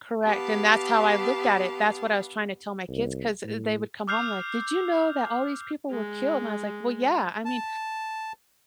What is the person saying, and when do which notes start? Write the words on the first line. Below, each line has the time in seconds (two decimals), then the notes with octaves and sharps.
Correct, and that's how I looked at it, that's what I was trying to tell my kids 'cause th they would come home like, "Did you know that all these people were killed?" And I was like, "Well, yeah," I mean,
0.23 B3 G4 F5 A5
2.89 C2
3.44 A2
4.08 D6 E6 F6 G6 C7 F7
5.90 G#3
7.45 A5